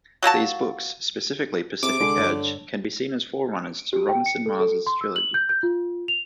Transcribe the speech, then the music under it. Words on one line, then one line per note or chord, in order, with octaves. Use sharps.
These books, especially "Pacific Edge", can be seen as forerunners to Robinson's Mars trilogy.
F#3 A#3 F#4 A5
C3 G#4 C5 D6
C2 D3 G#3 G#4
G2 A4 C#5
G4
G5
C#7
A4
A4
C6
E6
F#7
G6
G6
F4
F7